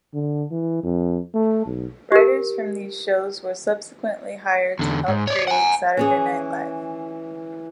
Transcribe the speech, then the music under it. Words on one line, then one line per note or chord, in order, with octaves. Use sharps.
Writers from these shows were subsequently hired to help create Saturday Night Live.
D3
E3
F2
A3
B1
G4 A#4
E2 D3
G#2
C#5 D5
F#5 G#5
E3 C#4 G#4